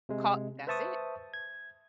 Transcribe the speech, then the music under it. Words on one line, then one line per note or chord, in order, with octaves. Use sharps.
Call That's it.
C3 G#3
B4 C5 E5 A5 C#6 D#6
G#6